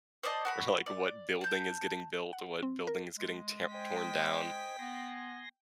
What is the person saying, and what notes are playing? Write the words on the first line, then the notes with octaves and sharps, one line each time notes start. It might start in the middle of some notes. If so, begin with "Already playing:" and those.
or, like, what building is getting built, or what building is getting tam torn down.
C5 D5 D#5 A5
F#4 A#4 B5
D5
A5 G6
F#5
C4
A#4
G#3
C5 D#5 G5 G#5 B6
B3 G#5 C6 A#6